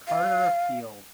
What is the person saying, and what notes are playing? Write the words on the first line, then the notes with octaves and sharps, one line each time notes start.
Carter appealed.
F5